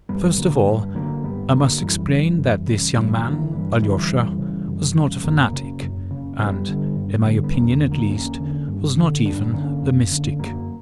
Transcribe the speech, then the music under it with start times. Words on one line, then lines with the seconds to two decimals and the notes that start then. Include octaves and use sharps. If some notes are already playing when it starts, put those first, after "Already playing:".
First of all, I must explain that this young man, Alyosha, was not a fanatic, and, in my opinion at least, was not even a mystic.
0.09 F#2 G3 B3
0.37 D3 F#3 A#3
0.67 G2
0.95 D3 F#3 A#3
1.23 G2 G3 B3
1.52 D3 F#3 A#3
1.81 F#2 E3 G3
2.09 C#3
2.38 F#2
2.67 C#3
2.95 G2 E3 G3
3.15 F#3 A#3
3.25 D3
3.33 E3
3.53 G2
3.81 D3 E3 G3
4.10 F#2
4.38 C#3
4.67 F#2
4.96 C#3
5.24 F#2 F#3 A#3
5.53 C#3
5.82 F#2
6.11 C#3
6.39 G2 G3 B3
6.68 D3
6.96 G2
7.25 D3
7.44 B3
7.53 E2 A#3 C#4
7.82 D3
7.91 F#3 A#3
8.10 E2 A#3 C#4
8.40 D3
8.68 G2
8.97 D3
9.25 G2 B3 D4
9.54 D3 A#3 C#4
9.82 F#2
10.11 D3
10.39 F#2 F#3 A#3